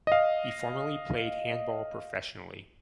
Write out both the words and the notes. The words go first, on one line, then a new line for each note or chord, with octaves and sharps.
He formerly played handball professionally.
D#5 F5